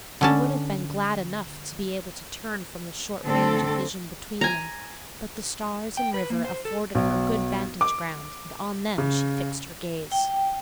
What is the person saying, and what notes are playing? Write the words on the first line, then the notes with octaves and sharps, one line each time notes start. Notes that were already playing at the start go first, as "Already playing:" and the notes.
She would have been glad enough to be able to turn from the short range of vision between them; but the stars and river afforded her good vantage-ground, and on them she fixed her gaze.
D3 C#4 A5
D3 A3 C4 A4
G#5 A#5
G5
B4
A#3
C5
A4
B1
D6
C#3
G5